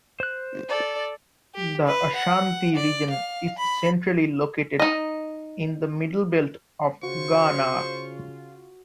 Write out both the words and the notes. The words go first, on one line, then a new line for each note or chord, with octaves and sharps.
The Ashanti Region is centrally located in the middle belt of Ghana.
C5 F#6
A4 D5
G4
B4
F#5
D5
F5
B5
D#4 D#5
C#3 F4 F#4 C5 C#6